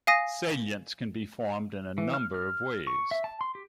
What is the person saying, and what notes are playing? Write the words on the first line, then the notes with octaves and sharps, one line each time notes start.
Salients can be formed in a number of ways.
F5 G#5 D#6 A#6
E3
F6
F6
C#6
E5
A5
C6
G4